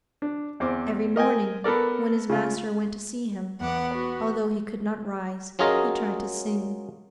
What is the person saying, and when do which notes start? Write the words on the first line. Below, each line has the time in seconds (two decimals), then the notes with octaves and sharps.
Every morning, when his master went to see him, although he could not rise, he tried to sing.
0.22 D4
0.60 E2 C4 D6
1.16 A#4 D#5 G5 G#5
1.64 B3 A4 A#4 D5
2.30 C#3 G#3 F4
3.61 E2 B3 F#5 D6
3.95 F#4
5.59 F#3 C#4 F4 G#4 A#4 D#5